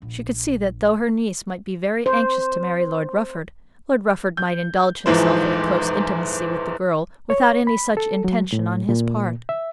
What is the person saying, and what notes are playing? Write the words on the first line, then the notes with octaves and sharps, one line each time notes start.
She could see that though her niece might be very anxious to marry Lord Rufford, Lord Rufford might indulge himself in a close intimacy with the girl without any such intention on his part.
A#1
C5
G6
D#1 E2 G#2 E3 F3 C5
C#5
B5
A4
F#3
A2
A#2
E5